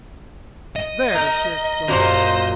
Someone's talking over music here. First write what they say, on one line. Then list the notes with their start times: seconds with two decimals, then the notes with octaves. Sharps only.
"There!" she exclaimed.
0.76 D#5
1.14 D#4 A#4
1.88 F#2 A#2 A#3 C5